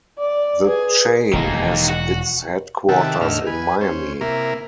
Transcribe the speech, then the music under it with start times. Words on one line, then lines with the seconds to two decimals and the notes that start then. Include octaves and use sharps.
The chain has its headquarters in Miami.
0.18 D5
0.67 G#4 B4
1.33 E1 D#3 E3 G#3 A#3
1.89 F#4
2.89 C3 D#3 G4 E5 F#5 A5
3.21 E2 A2 D3 D#4 E6 F6
3.47 B4 G#5
3.81 C#4 C5
4.21 C3 A#3 E4 A#4